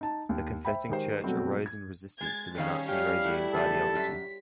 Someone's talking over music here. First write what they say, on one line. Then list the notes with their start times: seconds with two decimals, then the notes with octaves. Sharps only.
The Confessing Church arose in resistance to the Nazi regime's ideology.
0.01 D#4 A5
0.29 D#2
0.65 C5 E5 G5 B5
0.89 D#3 G#3 G4 C5
1.24 B2 F#3 G3 A3 C4 F#4
1.66 G#6
2.21 G#3 G#6 A6
2.58 D#3 G3 C#4 G#4 F5
2.89 G3 A3 G4 F5
3.25 A3 E4 F#4
3.54 C#3 F3 A3 A4
3.95 F#2 B6